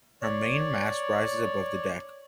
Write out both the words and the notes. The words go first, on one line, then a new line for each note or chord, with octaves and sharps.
Her main mast rises above the deck.
C#5 D5